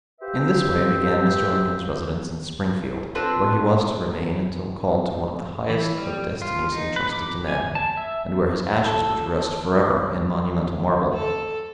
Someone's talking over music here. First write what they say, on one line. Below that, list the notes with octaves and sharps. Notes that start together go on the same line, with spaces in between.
In this way began Mr. Lincoln's residence in Springfield, where he was to remain until called to one of the highest of destinies intrusted to men, and where his ashes were to rest forever in monumental marble.
G4 B4 C5 E5 F5
C4 D4 F4 A4 B4 C5
E3
G3
F4
D#4
B4
D6
G#5
A5
E5
A4
A4